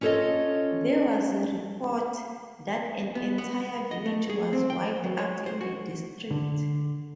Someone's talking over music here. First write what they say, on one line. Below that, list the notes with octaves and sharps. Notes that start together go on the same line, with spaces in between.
There was a report that an entire village was wiped out in the district.
C#4 F4 A4 C5 C#5 D#5
B3
B3
D#5
A3
G#4
C4
G5
F#3
C#5
C5
F#4
D3